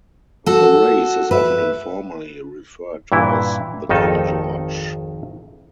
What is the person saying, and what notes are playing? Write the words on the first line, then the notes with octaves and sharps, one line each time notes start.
The race is often informally referred to as the "King George".
F#4 A4
B4 E5
G2 A#2 E3 E4
G#1 F2 D#3 D#4 A4